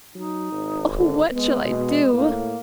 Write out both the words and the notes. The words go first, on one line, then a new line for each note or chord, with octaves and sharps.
Oh, what shall I do?
F#3 D#4
G#1
D3
G#3 B3
B2
A2 A#3